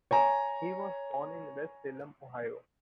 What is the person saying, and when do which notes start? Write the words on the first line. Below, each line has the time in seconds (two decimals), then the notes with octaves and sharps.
He was born in West Salem, Ohio.
0.11 C#5 G#5 A#5